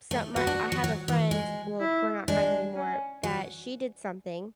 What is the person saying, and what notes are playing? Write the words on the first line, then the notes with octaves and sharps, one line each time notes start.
some my I have a friend, well, we're not friends anymore, that she did something.
A3
B3 F#4
D4
F#3
F#3
E3
G#3
E4
G#3 D4
C#4
F#3